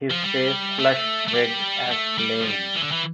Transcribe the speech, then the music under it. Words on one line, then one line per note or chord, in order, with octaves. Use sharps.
His face flushed red as flame.
F3
G3
A3
A3
G3
A3
G3
F3
G3
E3
D3
E3